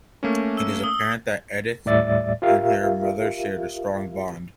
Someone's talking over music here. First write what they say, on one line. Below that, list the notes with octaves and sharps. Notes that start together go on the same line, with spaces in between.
It is apparent that Edith and her mother shared a strong bond.
A3 A#3 C#4
E6
D#6 G7
D#2 A2 G3 D5 E5 A6
F4 G4 A#4 E5 F5